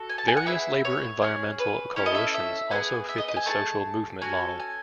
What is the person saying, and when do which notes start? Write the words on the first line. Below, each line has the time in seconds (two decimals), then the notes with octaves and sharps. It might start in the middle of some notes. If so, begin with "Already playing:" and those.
Various labour-environmental coalitions also fit this social movement model.
Already playing: F#4 A4
0.09 G#5
0.18 A5
0.28 G#5
0.37 F#5
0.46 B3 E4 G#4 E5
0.85 C#5
1.22 C#4 G#4
1.59 B4
1.96 C#4 E4 A4 C#5
2.06 D#5
2.15 E5
2.34 E5
2.71 B3 D#4 G#4 G#5
3.08 E5
3.18 D#5
3.28 D#5
3.37 G#5
3.46 A3 E4 G#4 A5
4.22 C#4 F#4 A4 G#5
4.60 G#5